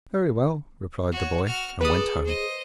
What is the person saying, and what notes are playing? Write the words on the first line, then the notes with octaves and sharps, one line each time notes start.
'Very well,' replied the boy, and went home.
F#4 C#5
F#4 F6
G#4 A4 B4 D5 D#6
C5 D#5